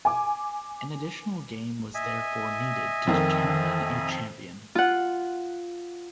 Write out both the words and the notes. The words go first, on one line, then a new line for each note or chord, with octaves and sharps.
An additional game was therefore needed to determine a champion.
G#5 D6
D#5 E5 G#5
F2 D#3
F4 F#5